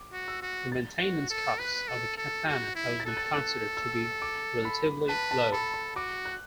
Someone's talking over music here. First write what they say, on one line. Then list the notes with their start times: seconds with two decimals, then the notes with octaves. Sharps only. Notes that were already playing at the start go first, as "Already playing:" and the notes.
The maintenance costs of the Katana have been considered to be relatively low.
Already playing: D6
0.13 F#4
0.28 E6
0.42 F#4
0.72 A6
1.00 F#4
1.30 A4
1.59 B4 F#6
1.88 A4
2.17 A4
2.47 F#4 A6
2.75 E4
3.00 A6
3.05 A4 F#6
3.17 A6
3.34 F#6
3.77 E6
4.22 D6
4.65 B5
5.08 B4 A5
5.31 A5
5.52 A4 B5
5.74 B5
5.96 F#4 D6
6.25 F#6